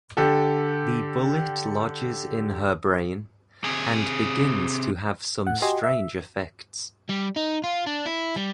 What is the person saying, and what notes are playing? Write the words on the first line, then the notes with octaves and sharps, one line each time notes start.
The bullet lodges in her brain, and begins to have some strange effects.
D3 G4 A4
C3 G#4
A2 F#5
F#4 G4 D#5 G#5 C6
E5
G3
D#4
F4
D4
E4
G3